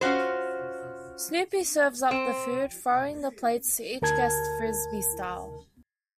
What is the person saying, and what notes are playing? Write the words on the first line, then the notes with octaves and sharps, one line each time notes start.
Snoopy serves up the food, throwing the plates to each guest Frisbee-style.
C#4 F4 F#4 C5
C4
D2 A#4 A5 G#6